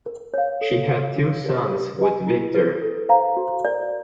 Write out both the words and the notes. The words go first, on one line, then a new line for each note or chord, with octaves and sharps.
She had two sons withVictor.
A#4
C#5 F5
A4
C#5 F5
D4
G4 A#4 D5
G4
B4 D#5 G#5
E4
G#4 B4
A4
C5 F5 A#5
F#4
A#4 D5